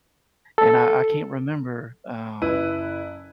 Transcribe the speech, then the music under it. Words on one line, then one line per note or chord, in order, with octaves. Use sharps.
And I I can't remember, um
A4
F#1 E4 B4 D#7